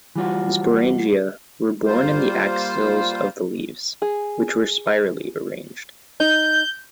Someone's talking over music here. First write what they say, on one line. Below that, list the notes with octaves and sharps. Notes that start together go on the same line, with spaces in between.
The sporangia were borne in the axils of the leaves, which were spirally arranged.
E3 G3 F4 F#4
G3 A#3 F4 C5
G#4
D#4 G6